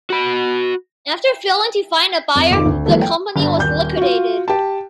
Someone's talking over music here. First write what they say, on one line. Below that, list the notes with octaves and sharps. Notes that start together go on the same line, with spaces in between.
After failing to find a buyer, the company was liquidated.
F#4 B5
F2
F1 D#3 F4 D6
D2
E3 F#3 G#3 A#3 A4
G5
G1 G2
D#1 G6
F4 F#4
G4 A5